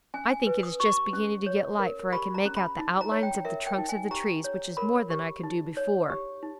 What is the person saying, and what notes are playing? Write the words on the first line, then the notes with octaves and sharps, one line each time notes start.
I think it is just beginning to get light, for I can make out the outlines of the trunks of the trees, which is more than I could do before.
C#4 G#5
G#5
B4
D#6
G4 C#6
C#4
C#5
A#4
G4 B5
A#5
C#4
B5
D#4
A#5
C#5
G5
A#4 E5
G5
D#4
G#5
G4 A#5
C#5
A#4 B5
G4
D#4
C#5
G4
D#4